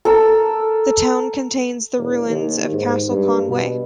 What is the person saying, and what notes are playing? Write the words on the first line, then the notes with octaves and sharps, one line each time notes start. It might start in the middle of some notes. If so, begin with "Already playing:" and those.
The town contains the ruins of Castle Conway.
A4 A#4 E6
E1
D#2
G#2
G2
B2